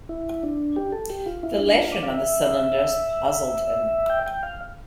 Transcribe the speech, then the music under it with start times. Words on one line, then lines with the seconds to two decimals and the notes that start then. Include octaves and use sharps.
The lettering on the cylinders puzzled him.
0.09 E4
0.43 D4
0.76 G4
0.92 A4
1.10 G4
1.26 F4
1.43 E4
1.59 D4
1.77 F4
1.92 D5
2.03 F5
2.09 E5
4.10 G5
4.26 G5
4.43 F5